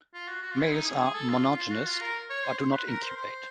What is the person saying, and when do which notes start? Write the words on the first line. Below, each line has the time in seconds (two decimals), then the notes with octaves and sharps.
Males are monogynous but do not incubate.
0.14 F4
0.28 F#4
0.43 F#4
0.53 F4
0.62 E4
0.72 D#4
0.86 G#4
1.00 G#4
1.15 A4
1.29 F4
1.58 F4
1.72 F#4
1.87 F4
2.01 A#4
2.30 C#5
2.44 C5
2.59 C5
2.73 B4
2.88 A#4
3.03 C5
3.16 C5